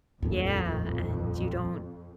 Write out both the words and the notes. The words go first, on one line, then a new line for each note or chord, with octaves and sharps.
Yeah, and you don't
D#1 A#1 F2 A2